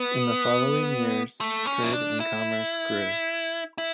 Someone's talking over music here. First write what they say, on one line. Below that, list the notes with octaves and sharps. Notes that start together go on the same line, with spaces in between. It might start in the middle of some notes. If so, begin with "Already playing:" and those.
In the following years, trade and commerce grew.
Already playing: B3
A3
C#4
E4
D4
E4
E4